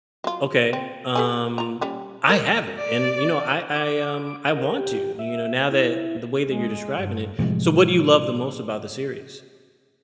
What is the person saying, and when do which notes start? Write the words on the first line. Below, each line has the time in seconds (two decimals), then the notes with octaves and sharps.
Okay, um, I haven't, and, you know, I I, um, I want to, you know, now that the way that you're describing it so, what do you love the most about the series?
0.24 F#3 F4
0.73 C4
1.16 G4 A4 G#5
1.58 F4 A#5
1.81 G3 C#4 G4
2.29 A#4
2.77 D5
3.75 D6
4.51 A#4
4.79 G4
5.19 E5
5.71 E4
6.47 G#3
7.00 G2
7.39 A2 C3 F3 G#3